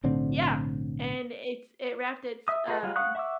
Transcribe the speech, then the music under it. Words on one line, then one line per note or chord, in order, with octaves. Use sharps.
Yeah. And, it's it wrapped its, um
B1 A2 D3 C4
E5 D#6
F4 G#4 B4 D#5 F#5
F#3 G3 F4
F5 F#5 C#6 D#6 F#6
E5 F#5 C#6 D6 E6